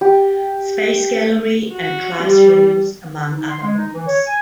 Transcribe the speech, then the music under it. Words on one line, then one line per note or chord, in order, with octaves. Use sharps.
Space gallery, and classrooms, among other rooms.
G4
F#4
G3
D#4
C6
G#3
D#4
E3
C#5
G#5